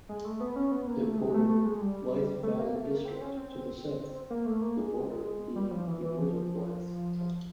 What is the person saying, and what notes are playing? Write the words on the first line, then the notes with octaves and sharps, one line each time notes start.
It bordered Blyth Valley district to the south, the border being the River Blyth.
G#3
A3
B3
C#4
B3
A#3
A3
G#3
G#3
A3
A3
G#3
G3
A3
A#3
A3
A#3
C4
C#4
C4
C4
A#3
A3
A#3
G#3
G3
F3
E3
E3
F3